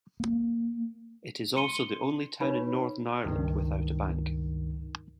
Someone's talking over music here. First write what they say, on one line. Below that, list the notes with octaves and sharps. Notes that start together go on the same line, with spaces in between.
It is also the only town in Northern Ireland without a bank.
A#3
C6 C#7 D#7 G7
D#4 B4 C#5 B5
C#2 G2 D#3